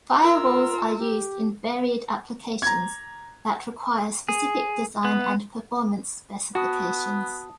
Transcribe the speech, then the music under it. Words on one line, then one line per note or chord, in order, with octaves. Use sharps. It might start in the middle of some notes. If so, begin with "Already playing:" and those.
Firewalls are used in varied applications that require specific design and performance specifications.
F4 A#4 E6
G4
A#5 G#6
G#4
B3
B3 F#4 A5 D#6